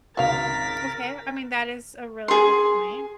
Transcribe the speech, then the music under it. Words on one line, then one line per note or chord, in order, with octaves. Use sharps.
Okay. I mean, that is a really good point.
G#1 C#2 F#4 A#4 F5 A6 B6 F7
G#4 C6